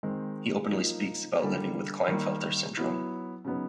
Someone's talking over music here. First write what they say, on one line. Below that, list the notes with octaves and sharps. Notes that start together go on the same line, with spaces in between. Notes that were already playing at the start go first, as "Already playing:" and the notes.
He openly speaks about living with Klinefelter syndrome.
D#3 G#3 C4
F3 A#3 D#4
D3 G3 A#3
D#3 G3 A#3
F#3 B3 E4
C#3 F#3 B3 D#4